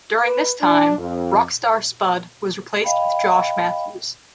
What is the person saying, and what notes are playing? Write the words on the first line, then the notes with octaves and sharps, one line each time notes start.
During this time Rockstar Spud was replaced with Josh Mathews.
B4
D4
F2
D#5 F5 G5 B5